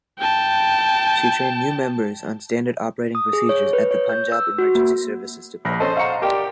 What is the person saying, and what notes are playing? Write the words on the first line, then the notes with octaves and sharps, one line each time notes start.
She trained new members on standard operating procedures at the Punjab Emergency services Department.
G5 A5
D#6
G#4
C#5
B4
C#5
G6
E6
F#4
A#3
A#1 B5 A#6
C#4 A4 C5 D#5 A5 C6
F5 F#5 A#5 C#6 C#7
G4 A#4 D5 G5